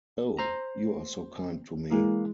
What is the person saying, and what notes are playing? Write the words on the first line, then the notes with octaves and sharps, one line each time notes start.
Oh, you are so kind to me.
C5 A#5
E3 G#3 A#3